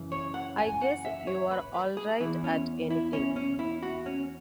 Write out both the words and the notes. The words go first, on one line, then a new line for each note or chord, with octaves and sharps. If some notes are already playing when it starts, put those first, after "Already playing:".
I guess you’re all right at anything.
Already playing: F#2 C#3 E3
C#5
F#5
G#5
F#5
E5
C#5
B4
B4
G#4
E2 C#3 E3 E4
C#4
E4
C#4
C#4
E4
F#4
C#4